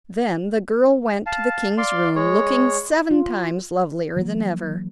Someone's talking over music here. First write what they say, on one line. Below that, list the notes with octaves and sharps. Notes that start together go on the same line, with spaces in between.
Then the girl went to the king's room looking seven times lovelier than ever.
F5 A5
D5 F5 C6
G#3 C#5
F4
E3 F#3 A#3